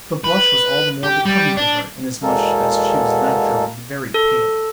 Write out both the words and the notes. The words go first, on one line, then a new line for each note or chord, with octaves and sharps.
The blush was all the more becoming to her inasmuch as she was naturally very pale.
B4
G4
G3
D4
E2 B2 G#3 A#3 A4 A#4
A4